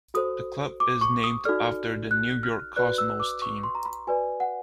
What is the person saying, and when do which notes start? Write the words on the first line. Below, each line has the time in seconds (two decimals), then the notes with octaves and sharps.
The club is named after the New York Cosmos team.
0.14 F#4 A4 C5 D#6
0.80 D6
1.01 C#6
1.24 D#6
1.45 D#4 F#4 A4 D5 F6
2.11 F#6
2.43 F6
2.76 F#4 B4 D5 F#6
2.98 E6
3.20 D6
3.42 C#6
3.63 C6
3.75 A#5
3.85 B5
4.07 F#4 B4 D5 G#5
4.40 F#5